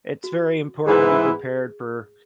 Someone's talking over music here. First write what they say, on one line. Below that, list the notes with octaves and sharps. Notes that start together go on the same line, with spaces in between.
it's very important to be prepared for,
F#4
G#2 E3 B3 E4 G#4